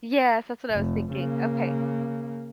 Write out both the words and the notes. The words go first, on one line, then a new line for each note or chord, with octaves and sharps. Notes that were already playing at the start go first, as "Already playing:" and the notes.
Yes, that's what I was thinking. Okay.
F1
C#3 A#3